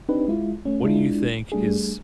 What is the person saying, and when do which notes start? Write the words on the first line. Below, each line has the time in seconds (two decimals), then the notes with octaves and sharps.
what do you think is
0.09 C4 D4 D#4 G4 B4
0.28 G#3 E4 F4
0.65 A3 C#4
0.84 G#3 D4 E4 F4
1.52 G3 A3 D4 G#4